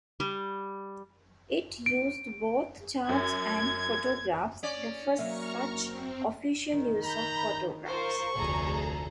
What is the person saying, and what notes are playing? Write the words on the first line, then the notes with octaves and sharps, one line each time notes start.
It used both charts and photographs, the first such official use of photographs.
G3
D7
F#2 G#6
C#4 D5
F#3 A#3 E5 F5 A#5 C#6 F6
C4
D#3
A#5 B5 G6
F4 A#4 C5 C#6
F1 D2 G#4 A4 A#5